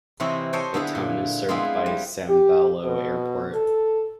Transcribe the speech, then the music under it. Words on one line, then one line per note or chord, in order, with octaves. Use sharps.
The town is served by Sambailo Airport.
C3 E3 C4 E4 C#5 D#5
A4 C5 C#5 D#5 G5 G#5
D3 B3 E4 G#4
A#2
G#3 B3 C4 E4 F4 G#4
G3
G4
B2
A4